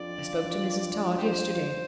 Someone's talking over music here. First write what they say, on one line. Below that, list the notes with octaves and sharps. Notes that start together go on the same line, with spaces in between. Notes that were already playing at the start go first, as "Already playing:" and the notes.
I spoke to Mrs. Tod yesterday.
Already playing: F2 F3 D4 F4 D5
G4 C5